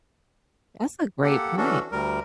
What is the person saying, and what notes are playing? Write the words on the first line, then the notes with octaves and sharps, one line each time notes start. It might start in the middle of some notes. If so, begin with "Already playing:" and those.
That's a great point.
A#3 G4 A4 F#5
E3 C#4 D4 F#4 A4
D2 G3 A#4